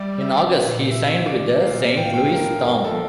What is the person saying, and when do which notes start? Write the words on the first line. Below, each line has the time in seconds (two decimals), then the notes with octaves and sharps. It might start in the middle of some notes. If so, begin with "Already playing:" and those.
In August, he signed with the Saint Louis Storm.
Already playing: G3 D5 E5
0.21 E5
0.55 A#2 E5
0.91 E5
1.26 D5
1.61 F5
1.96 A2 G5
2.05 F5
2.14 G5
2.32 A#4
2.66 G2
2.84 F3 A4